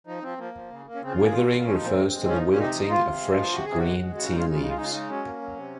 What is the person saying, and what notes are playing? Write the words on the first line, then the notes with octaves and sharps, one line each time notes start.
Withering refers to the wilting of fresh green tea leaves.
F3 D#4
F3 C4
F3 A#3
F3
C#3
A#3
C#4
C#3 C4
F4
A#3 G#4
A#2 F4
A#2
F3 C#4
A#2 D#4
C4
G#3
G#3
F3 C#4
A#2 D#4
C#4
C3 D#4
F3
F3 F4
C3
G#3
F3
C3 F#4
C3 G#4
F#4
G#3
G#3
C#3 F#4
G#3 D#4
F4
C#3 D#4
F4
G#3 D#4
F4
C#3 D#4
F4
G#3 D#4
F#3 C#4
A#3
F#3
C3